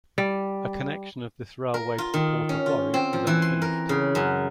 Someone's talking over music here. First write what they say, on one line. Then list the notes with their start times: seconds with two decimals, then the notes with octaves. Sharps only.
A connection of this railway to the port of Warri is unfinished.
0.18 G3
1.74 A#4
1.98 F4
2.14 D#3
2.49 C#4
2.66 F4
2.94 C4
3.13 F3
3.27 E3
3.42 C6
3.62 A#4
3.89 C#3
4.15 F#2